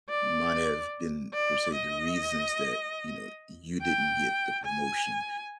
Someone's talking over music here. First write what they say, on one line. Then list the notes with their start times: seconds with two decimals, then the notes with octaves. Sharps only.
might have been per se the reasons that, you know, you didn't get the promotion?
0.09 D5
1.33 D5
1.74 D#5
3.82 G5
4.65 G#5